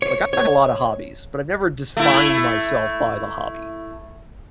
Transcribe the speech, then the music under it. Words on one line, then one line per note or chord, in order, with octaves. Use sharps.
Like, I have a lot of hobbies, but I've never defined myself by the hobby.
C#5
C#5
A3 E4